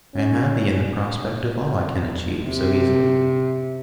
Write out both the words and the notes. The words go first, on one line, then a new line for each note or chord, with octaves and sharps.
I am happy in the prospect of all I can achieve so easily.
C#4
C3